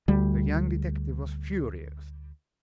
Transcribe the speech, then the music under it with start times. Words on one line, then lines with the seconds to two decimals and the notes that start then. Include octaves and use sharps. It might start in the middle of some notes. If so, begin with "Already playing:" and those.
The young detective was furious.
0.08 D2 G3